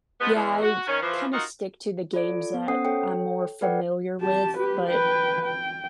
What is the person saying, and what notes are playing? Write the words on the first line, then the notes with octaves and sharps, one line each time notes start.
yeah, I kinda stick to the games that I'm more familiar with, but
F3 G#3 B3
E2
F#4
D#3 C#4
E3 F3
D#4 F4 F#4 A#4 D#5
F4 A4 D5 D7
B3
C#4 A4 C5 F#5 D#6 C7
A4 C#5 G5
A4 B4 D5 F#5 G5
G4 A5
G4 B4
B4 G5
G5